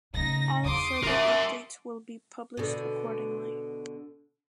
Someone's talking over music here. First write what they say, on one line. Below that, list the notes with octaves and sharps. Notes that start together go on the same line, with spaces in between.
All further updates will be published accordingly.
A2 C#3 D#4 A#6
E2 C6 D6 D#6
D4 A#4 E5
B2 D3